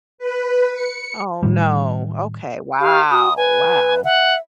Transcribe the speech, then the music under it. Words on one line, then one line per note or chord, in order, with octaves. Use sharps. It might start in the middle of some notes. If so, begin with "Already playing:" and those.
Oh, no, okay, wow! Wow.
B4
C#7
A2 D#3 G3
G4 F5
F#4 D#6
B4 G#5
E5 F#5